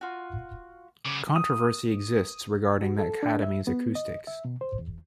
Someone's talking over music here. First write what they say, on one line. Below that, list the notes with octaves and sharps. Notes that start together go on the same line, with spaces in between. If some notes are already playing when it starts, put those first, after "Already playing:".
Controversy exists regarding the Academy's acoustics.
F4 F#4
C#3 B3 D6
D#6
F#4
A4
D4
E5
B3
D#5
E5
B2
C5
E2